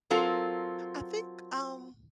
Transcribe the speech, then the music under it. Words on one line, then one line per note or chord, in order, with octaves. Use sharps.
I think um,
F#3 C4 F4 A4 A#4